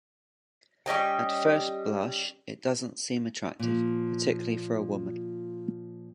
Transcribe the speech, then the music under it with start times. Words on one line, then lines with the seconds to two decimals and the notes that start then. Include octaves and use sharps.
At first blush, it doesn't seem attractive, particularly for a woman.
0.86 G3 C#4 D#5 G5
3.59 A#2 F3